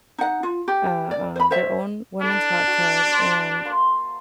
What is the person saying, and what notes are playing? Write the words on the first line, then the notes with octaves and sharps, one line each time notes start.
uh uh, their own women's hot tub, and
D#4 F#5
F4
G4
D5
C5 B5
C5 C#5 E5
D4 E4 A4
F#4
C5
A#3 A5 C6